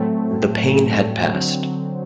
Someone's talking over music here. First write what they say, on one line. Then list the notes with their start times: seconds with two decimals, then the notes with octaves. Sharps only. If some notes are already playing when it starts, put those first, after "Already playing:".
The pain had passed.
Already playing: A2 F#3 A3 C4
1.28 D3 F#3 C4